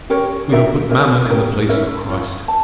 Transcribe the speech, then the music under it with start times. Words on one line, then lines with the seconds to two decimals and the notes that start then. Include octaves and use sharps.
We have put mammon in the place of Christ.
0.10 C#4 G4 A#4 C#5
0.49 D4 G4 A#4 E5
0.89 C#4 G4 A#4 E5
1.29 C#4 G4 A#4
1.68 C#4 E4 A#4 E5
2.09 C#4 F4 C#5
2.48 A5